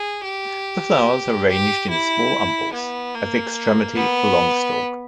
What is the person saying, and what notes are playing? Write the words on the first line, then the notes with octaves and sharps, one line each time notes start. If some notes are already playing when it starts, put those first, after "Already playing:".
The flowers are arranged in small umbels at the extremity of a long stalk.
Already playing: G#4
G4
G4
E4
B3
A#3
B3